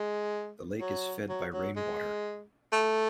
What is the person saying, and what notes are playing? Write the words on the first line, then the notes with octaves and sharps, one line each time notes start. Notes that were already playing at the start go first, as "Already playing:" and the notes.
The lake is fed by rain water.
Already playing: G#3
F#3
F#3
F#3
G#3
A3